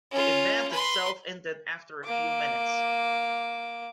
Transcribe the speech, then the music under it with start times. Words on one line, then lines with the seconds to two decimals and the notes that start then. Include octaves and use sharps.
The event itself ended after a few minutes.
0.11 C#4 F4
0.72 B4 C6
2.05 A#3 D6